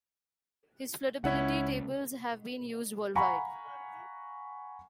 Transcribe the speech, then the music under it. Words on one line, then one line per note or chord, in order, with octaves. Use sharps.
His floodability tables have been used worldwide.
C#2 C#4 E4 F#5
F5 F#5 G#5 A#5 B5 C#6